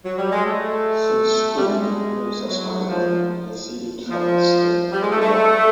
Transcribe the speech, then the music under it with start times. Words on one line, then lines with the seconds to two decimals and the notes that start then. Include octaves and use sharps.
Since school Mirza started writing on Yazidi troubled state in Iraq.
0.05 F#3
0.18 G3
0.32 G#3
0.45 A3
1.57 G3
1.67 G#3
2.48 F#3
2.88 F3
4.10 F3
4.92 G3
5.02 G#3
5.11 A3
5.22 A3